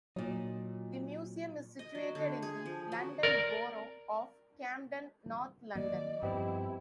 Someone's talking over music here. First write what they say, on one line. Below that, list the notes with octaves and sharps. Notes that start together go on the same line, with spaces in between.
The museum is situated in the London Borough of Camden, North London.
A#2 F#3 D#4
D#5
F#3
D3
G#4
F3
F#3
A#4 D5
D#3 F#3 A#3 D5 D#5
G2 F3 B3 C4 E4 G4